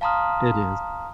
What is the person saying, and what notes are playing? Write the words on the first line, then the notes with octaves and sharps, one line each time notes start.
It is.
F5 A5 A#5 C6 D#6 F6